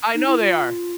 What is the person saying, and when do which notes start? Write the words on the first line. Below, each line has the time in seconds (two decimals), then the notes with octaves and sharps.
I know they are.
0.14 D#4
0.26 E4
0.39 F4